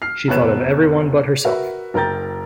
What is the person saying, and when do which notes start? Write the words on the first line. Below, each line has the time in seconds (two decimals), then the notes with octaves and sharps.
She thought of everyone but herself.
0.02 F6 C7
0.28 F1 E2 B4 C#5 F#6 E7
1.45 F#4 A#4 B4 E5
1.94 F#1 A#4 G5 A#5 G6 A6